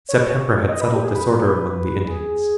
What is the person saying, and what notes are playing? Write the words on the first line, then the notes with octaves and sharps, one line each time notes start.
September had settled disorder among the Indians.
C#5
D#5
B4
G4
G#4
B4
G#4